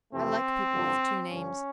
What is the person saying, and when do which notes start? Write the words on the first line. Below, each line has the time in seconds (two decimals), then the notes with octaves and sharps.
I like people with two names.
0.13 F2 C3 E3 A3 C4
0.72 A1 G2 D3 F3
1.30 G2 D3 F3 C#4